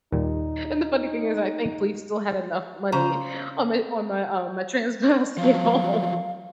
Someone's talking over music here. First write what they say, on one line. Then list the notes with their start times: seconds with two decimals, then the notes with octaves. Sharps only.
And the funny thing is I, thankfully, still had enough money on my on my, um my trans pass to get home.
0.12 D#2 A#2 G3 D#4
2.92 C#3 C5 A#5
5.38 F3 F#3 F5